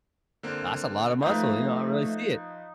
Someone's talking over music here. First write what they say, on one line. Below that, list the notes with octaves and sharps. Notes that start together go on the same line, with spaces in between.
that's a lotta muscle. You know, I really see it.”
D3 A#3 C4
F3 A3 D#4 B4 F5